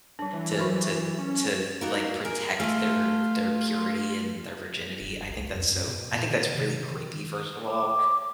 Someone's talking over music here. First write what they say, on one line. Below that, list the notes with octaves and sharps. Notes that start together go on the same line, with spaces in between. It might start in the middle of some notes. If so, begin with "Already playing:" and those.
to to to, like, protect their their purity and their virginity. I think that's so I think that's really creepy, first of all,
G3 D4
E3
F#3 F#4 A#4
C#4
A#3 D#4 F#4 A#4
G#4 A#4
A3 F4 A4
E1
C2
F2
F#2
B2
A#2
D#3
C3
D#3
D6